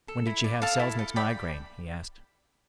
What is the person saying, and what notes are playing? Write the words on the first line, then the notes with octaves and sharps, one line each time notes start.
"When did she have Selznik's migraine?" he asked.
A4
E4
D5
A4 F5 A5
E4
A4
D5 G5 B5